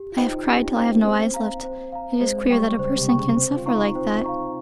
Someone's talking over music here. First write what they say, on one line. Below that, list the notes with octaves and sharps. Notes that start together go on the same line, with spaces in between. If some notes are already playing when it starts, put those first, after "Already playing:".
I have cried till I have no eyes left. It is queer that a person can suffer like that.
Already playing: G4
F4
D#4 C5 D#5 G5
C#4 G4
C5 D#5 G5
A#3
C4 C5
F5 A#5
C5
F5 A#5
G#3 C5
G3 G5 C#6
C#3 C5
C3
G5 C#6
C#3
C4 C5
F4
D#4 F5 A#5 C#6
C4 C5
F5 A#5 C#6